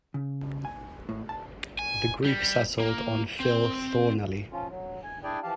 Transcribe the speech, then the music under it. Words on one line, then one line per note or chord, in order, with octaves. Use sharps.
The group settled on Phil Thornalley.
C#3
G#5
A2
A5
G#5
G3
A#3
C4
F3 C#4 F4
F#3
G#5
D4 E4 G#4 D5 G5 G#5
E3 F3 G4 F5 A5